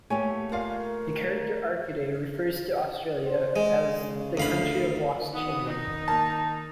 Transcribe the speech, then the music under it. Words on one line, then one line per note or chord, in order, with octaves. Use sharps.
The character Arkady refers to Australia as "the country of lost children".
A3 A#3 G4 C#5 G#5
F4 A#4 D5 F5
C5
G#3 D#5
C#3
D2 F5 B5
A#4
D#3 B3 D#6
D#4
A#3 A5